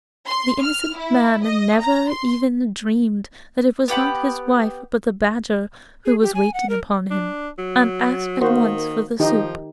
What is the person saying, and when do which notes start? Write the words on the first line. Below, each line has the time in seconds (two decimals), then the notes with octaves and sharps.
The innocent man never even dreamed that it was not his wife but the badger who was waiting upon him, and asked at once for the soup.
0.26 C6
0.62 F6
0.96 E4
1.43 D#5
1.79 A#5
2.09 C6
3.88 B3 G4 F#5 B5
6.05 G#4
6.22 G4
6.35 G#5
6.54 F#5
6.70 A#4
7.11 D4
7.58 F#3
8.41 D#3 A#3 F#4 C5
9.20 D#3 F3 D#4 G4